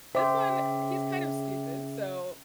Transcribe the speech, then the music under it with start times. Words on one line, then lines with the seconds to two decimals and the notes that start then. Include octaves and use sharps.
this one, uh, he's kind of stupid, so,
0.15 C#3 C5 E5 G5 D6